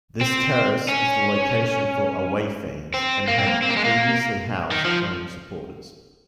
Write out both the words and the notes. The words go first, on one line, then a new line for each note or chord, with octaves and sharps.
This terrace is the location for away fans and had previously housed home supporters.
C4
C#4
C4
A#3
C4
A#3
C4
A#3
G#3
A#3
D#3
F3